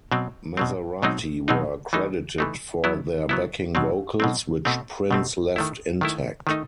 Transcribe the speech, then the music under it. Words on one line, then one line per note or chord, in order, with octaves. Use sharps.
Mazarati were credited for their backing vocals, which Prince left intact.
B2 F#3 C4
B2 F#3 C4
B2 F#3 C4 D#4
B2 F#3 C4 D#4
E3 A3 D#4
E3 A3 D#4
F#3 B3 E4
F#3 B3 E4
B2 F#3 C4
B2 F#3 C4
B2 A3 C4
B2 A3 C4
D#3 A3 E4
D#3 A3 E4
D#3 A3 D#4